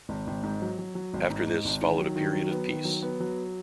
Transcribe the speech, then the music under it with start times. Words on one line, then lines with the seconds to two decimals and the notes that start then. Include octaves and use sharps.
After this followed a period of peace.
0.09 G#1
0.27 G#1
0.43 G#2
0.62 F#3
0.79 F#3
0.95 F#3
1.14 G#1
1.30 G#2
1.47 G#2
1.65 G#1
1.82 D#3
1.99 F#3
2.16 D#3
2.33 F#3
2.51 B3
2.69 D#3
2.85 F#3
3.03 B3
3.20 F#3